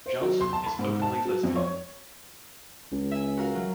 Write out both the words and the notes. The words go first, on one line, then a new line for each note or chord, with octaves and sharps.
Johnson is openly lesbian.
C5
F#3
C6
A5
B5
G#2
A5
F#3
F2
C#5
C#2
E5 G#5
F#4 A#4 F5
F#3